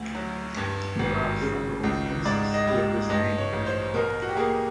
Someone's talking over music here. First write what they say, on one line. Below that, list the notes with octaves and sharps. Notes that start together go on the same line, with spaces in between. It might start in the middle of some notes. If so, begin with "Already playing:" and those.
There are several places with this name.
Already playing: D2
F#3
G2
G#1
C#3
C#2
G#2 D5
D#5
G3
G2 D#5
C#5
A1
C5
B2 A#4
F#4
G4
A#3 G#4